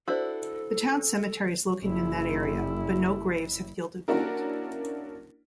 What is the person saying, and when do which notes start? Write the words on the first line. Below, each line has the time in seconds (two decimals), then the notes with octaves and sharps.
The town cemetery is located in that area, but no graves have yielded gold.
0.08 D4 E4 F#4 A4 C5 D5 E6
1.83 F#1 E4
4.08 A#3 C#4 D4 E4 F#4 A#4